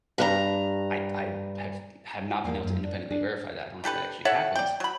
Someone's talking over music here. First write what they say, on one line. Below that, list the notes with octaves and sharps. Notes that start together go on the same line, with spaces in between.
I I have have not been able to independently verify that, I don't know if that actually happens.
G2 A4 A#5
E2 F3 A#3 F5
F#2
D4
D4 G#4
D4 G4 A4 B4
A4 C#5 E5 F#5
D5 G5
F#3 B5